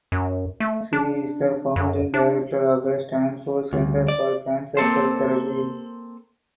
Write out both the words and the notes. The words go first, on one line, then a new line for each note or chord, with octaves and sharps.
She is the founding director of the Stanford Center for Cancer Cell Therapy.
F#2
A3
D4
F#2
D4
D2 D3 G3
D5
A#3 C4 A4 C5